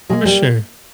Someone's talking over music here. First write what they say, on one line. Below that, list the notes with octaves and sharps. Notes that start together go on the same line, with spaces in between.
For sure.
B2 F#3 G#3 A#3 G#4
G3 G4